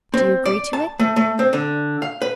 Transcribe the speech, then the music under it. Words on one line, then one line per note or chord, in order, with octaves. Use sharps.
"Do you agree to it?"
C4
D5
A5
A3
A3
C4
D3
F5
B4